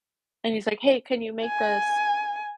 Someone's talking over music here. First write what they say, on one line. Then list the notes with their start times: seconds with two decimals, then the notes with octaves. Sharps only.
and he's like, "Hey, can you make this,"
1.45 G#5